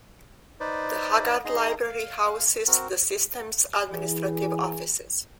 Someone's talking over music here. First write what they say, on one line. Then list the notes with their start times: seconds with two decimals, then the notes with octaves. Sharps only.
The Haggard Library houses the system's administrative offices.
0.60 D#4 B4 C5 D5
1.45 D#4 G#4 A#5 C6
1.83 F5
2.67 C4 F#4 A#4
3.92 E3 G#4